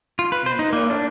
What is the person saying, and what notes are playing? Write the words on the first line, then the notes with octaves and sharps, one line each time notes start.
and, um,
F4
B4
C5
D#4
A#3
D4